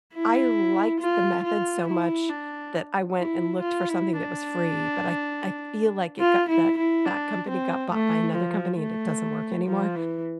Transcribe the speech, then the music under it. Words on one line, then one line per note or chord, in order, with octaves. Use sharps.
I liked the method so much that I went and looked for something that was free, but I I feel like it got that that company got bought by another company, and it doesn't work anymore
E4
F4
F4
E4
D4
E4
F4
E4
D4
F4
E4
E4
D4
C4
A3
F3
A3
F3
E3